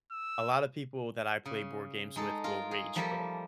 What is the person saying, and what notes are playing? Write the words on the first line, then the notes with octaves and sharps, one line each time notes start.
a lotta people that I play board games with will rage quit,
E6
C#3
G#3 D#4 A4
F4 A#4
G#4
F3 G3 A#3 A4 E5 G#5